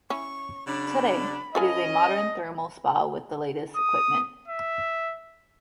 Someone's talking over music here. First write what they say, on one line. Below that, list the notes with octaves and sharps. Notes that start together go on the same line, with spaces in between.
Today, it is a modern thermal spa with the latest equipment.
C#4 E4 C#6
C#3 F#3 D4 B5
C#4 F4 A4 D#5 G#5
D#6
E5